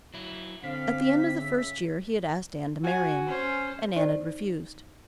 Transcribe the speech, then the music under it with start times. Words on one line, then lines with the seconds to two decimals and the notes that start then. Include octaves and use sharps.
At the end of the first year he had asked Anne to marry him, and Anne had refused.
0.14 F#3 E4
0.63 D3 C4 F5 B6
1.39 C#3 E5
2.84 F#4 G#5
3.26 C#4 C5
3.96 D#4 C5 D5